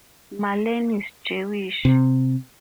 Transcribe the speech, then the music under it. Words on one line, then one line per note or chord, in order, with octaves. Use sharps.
Marlens is Jewish.
C3